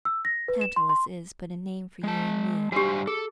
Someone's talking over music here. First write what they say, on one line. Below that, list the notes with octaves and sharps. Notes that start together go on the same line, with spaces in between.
Tantalus is but a name for you and me.
E6
A#6
B4
E7
C6
C6
G#3 A5
G2 F#4 G4 C5 G#5
G#4 A4